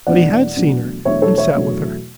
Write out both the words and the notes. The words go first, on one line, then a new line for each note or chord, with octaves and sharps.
But he had seen her, and sat with her.
E2 B2 F#3 A3 D4 D5 F#5
E2 B2 F#3 A3 D4
E2 B2 F#3 A3 D4 C#5 E5
A4 C#5
C#5 E5
E2 B2 F#3 A3 D4